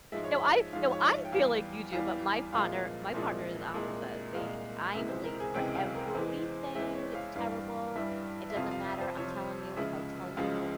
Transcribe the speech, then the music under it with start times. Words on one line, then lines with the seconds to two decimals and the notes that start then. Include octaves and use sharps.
No, I no, I feel like you do, but my partner my partner is opposite. They I'm late for everything, it's terrible. It doesn't matter, I'm telling you if I tell you
0.12 G#2 F3 G#3 E5
0.24 C#5
0.36 E5
0.73 G#2 F3 G#3 F5
0.92 C#5
1.12 E5
1.25 G5
1.32 E2 E3 G3 F5
1.92 E2 E3 G3 F5
2.53 C2 A#2 F3 G#3 F5
3.14 C2 A#2 F3 G#3
3.74 C2 A#2 G#3
4.35 C2 A#2 G#3 F5
4.94 C#2 C3 E3 G#3 E5
5.09 C5
5.24 A#4
5.40 G#4
5.54 C#2 C3 E3 G#3 G5
5.75 F5
5.95 A#4
6.15 E2 E3 G#3 C5
6.75 E2 E3 G#3 E5
6.95 C#5
7.15 F5
7.35 G2 E3 G3 F5
7.95 G2 E3 G3 E5
8.50 E5
8.56 F2 C3 F3 F5
8.71 F5
8.86 E5
9.01 C5
9.16 F2 C3 F3 C#5
9.77 C#2 C#3 F3 G#3 E5
10.37 C#2 C#3 F3 G#3 F5